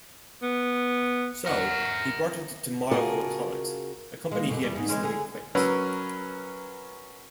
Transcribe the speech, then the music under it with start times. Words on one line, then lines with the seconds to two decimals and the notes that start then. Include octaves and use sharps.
So, he brought it to Marvel Comics, a company he had recently quit.
0.42 B3
1.46 A#4 F#5
2.91 C#3 F4 F#4 G#4 A#4 A5
4.31 G#3 A#3
4.47 F#2 B2 D3
4.63 E2 G3
4.76 G#2
4.89 E3 G#3 C#4
5.03 D3 G#4
5.55 F#3 C#4 A#4 B4 E6